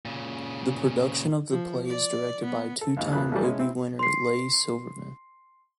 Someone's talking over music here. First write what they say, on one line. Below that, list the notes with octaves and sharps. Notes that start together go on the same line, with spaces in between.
The production of the play is directed by two-time Obie winner Leigh Silverman.
A#2 C#3
F3
D5
B3
A4
A#1 D#2 G#2
A#1 E2 B2 A#3 B5 F#6
A1 A2 C#3 E3 F#3 G3
G#3 C#4 E4
C4 E4
C6 C7